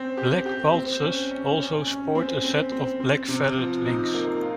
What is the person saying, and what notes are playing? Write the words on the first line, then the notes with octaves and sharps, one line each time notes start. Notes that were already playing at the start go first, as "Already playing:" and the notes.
Black Waltzes also sport a set of black feathered wings.
Already playing: C4 C#4
G4
G4
C4
C#4
C#4
C#4
C#4
C4
C4
C4
C4
C3
F3
D#4
A#3
F4